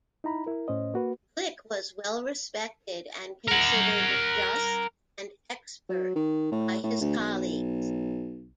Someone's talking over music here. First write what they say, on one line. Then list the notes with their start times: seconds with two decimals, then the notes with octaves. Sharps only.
Glick was well respected and considered "just and expert" by his colleagues.
0.24 D#4 E4 A#5 B5
0.47 E4 A#4
0.68 A2 C#4 C5 D#5
0.94 A#3 F#4 B4
3.48 A#4 F#5
5.89 F#3
6.15 D#3
6.52 A2
6.83 A2
7.01 D2
7.18 B1